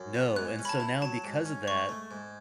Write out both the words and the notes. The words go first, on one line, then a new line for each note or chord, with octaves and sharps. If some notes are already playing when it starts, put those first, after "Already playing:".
No, and so now because of that,
Already playing: F#2
B3
G#2 F#6
C#4
B5
A5
E4
F#3 A5
G#2
C#4
G#2 C#6
A3
G#2